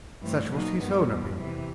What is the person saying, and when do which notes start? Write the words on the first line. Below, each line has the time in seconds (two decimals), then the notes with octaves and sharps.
Such was his own opinion.
0.22 G2 E3 A3 C4
0.50 B2 F#3 A#3 D#4
0.79 G2 D#3 G#3 B3
1.08 E2 B2 G3
1.38 E2 C3 E3